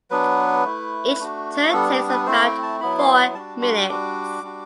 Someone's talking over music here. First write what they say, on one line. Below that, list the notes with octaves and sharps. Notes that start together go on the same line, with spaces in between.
Each turn takes about four minutes.
F#3 B3 D4 B4
A3 E4
A3 D4 F#4
G3 B3 D4 A4
G4
B4
A3 C4 E4 C5
G5
A5
F#3 B3 E4 B5
C6
C6
G3 D4 F#4 A5
C6
G3 D4 F#4 D6
G3 D4 F#4